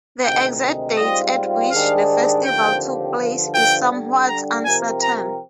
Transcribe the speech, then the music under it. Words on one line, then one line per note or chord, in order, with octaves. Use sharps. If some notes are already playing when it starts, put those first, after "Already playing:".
The exact date at which the festival took place is somewhat uncertain.
D2 C3 D#3 G#3 D#4 G5
G#2 G3 C4 F4 D#5
G#2 D#3 G3 D4 G#4 F5
D#2 D3 F3 C4 G4 G5
G2 D3 F3
G5
D3 G3 D4
A#5
C3 F3 C4 G4 A#4 G#5
A#5